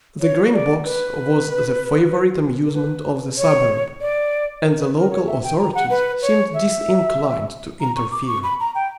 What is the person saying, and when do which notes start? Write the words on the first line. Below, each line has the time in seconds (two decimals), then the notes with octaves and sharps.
The Green Box was the favourite amusement of the suburb, and the local authorities seemed disinclined to interfere.
0.21 C#5
0.53 D5
0.84 B4
2.66 A#4
2.74 B4
3.37 C#5
4.01 D5
4.64 A#4
4.80 B4
4.96 A#4
5.11 C#5
5.27 E5
5.43 G5
5.59 A#5
5.75 F#5
5.90 B4
6.22 C#5
6.54 E5
7.81 A#5
7.96 C#6
8.12 D6
8.28 C#6
8.43 B5
8.60 A#5
8.75 G5